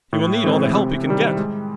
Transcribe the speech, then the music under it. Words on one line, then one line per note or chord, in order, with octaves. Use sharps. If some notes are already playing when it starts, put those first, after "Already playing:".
He will need all the help he can get!
A2
E3 G#3 C4 E4
C3
D#3 G3
G#3